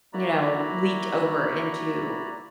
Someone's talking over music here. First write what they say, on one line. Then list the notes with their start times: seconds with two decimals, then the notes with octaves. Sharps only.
you know, leaked over into,
0.13 A#3 E4 F#4 D5 A#5 B5